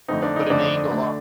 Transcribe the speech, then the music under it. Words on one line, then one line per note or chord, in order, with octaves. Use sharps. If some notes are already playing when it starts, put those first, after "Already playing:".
but an angle of
F2 D3 A3 C4 D#4
D4
D#4
F2 D3 A3 C4 D4
D2 D3 A3